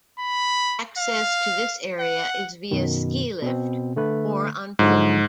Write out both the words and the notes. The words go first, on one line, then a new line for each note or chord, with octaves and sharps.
Access to this area is via ski lift or on foot.
B5
F5
F#5
F#2 B2 D#3
B2 C4
D3 A3 B4
G#2 D3 F3 F#3